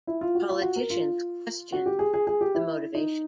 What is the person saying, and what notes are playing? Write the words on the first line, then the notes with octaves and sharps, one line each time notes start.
Politicians questioned the motivation.
E4
F4
F#4
F4
F#4
A#4
F4
F#4
G4
G#4
G#4
G#4
G4
E4
D#4